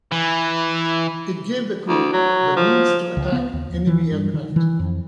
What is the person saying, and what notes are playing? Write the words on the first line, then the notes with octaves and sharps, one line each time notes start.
It gave the crew the means to attack enemy aircraft.
E3
D2
F#3
F3
C#2
B3
D#2
D#2
E3
G2
D#3
E3
F2